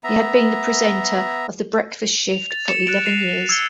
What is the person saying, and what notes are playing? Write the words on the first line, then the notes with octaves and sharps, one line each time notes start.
He had been the presenter of the Breakfast shift for eleven years.
B3 E5 A#5
F7
A6
C#7 E7
F#6 A6 D7 F7
A#6 C7 D#7 F7
E6 G#6 C7 C#7 G7